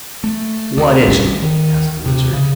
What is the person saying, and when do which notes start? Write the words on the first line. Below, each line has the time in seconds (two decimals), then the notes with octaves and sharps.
"What is it?" asked the Lizard.
0.24 A3
0.78 D2
1.08 G#1 A2 G3 C#4
1.42 D#3
2.06 C3
2.33 C#3